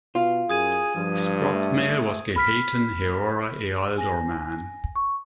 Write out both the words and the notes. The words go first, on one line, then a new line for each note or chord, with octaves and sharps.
Scrocmail was gehaten heora ealdormann.
B2 F4
F#2 G#4 D#6 G#6 D#7
G2 F3
A3
B5 F6 B6
G#5 A#6
C#6